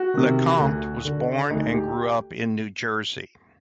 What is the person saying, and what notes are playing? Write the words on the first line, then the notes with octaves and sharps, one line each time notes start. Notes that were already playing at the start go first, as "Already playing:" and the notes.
LeCompte was born and grew up in New Jersey.
Already playing: F#4
C3 D#3
D2
D3
D2 D#4
G4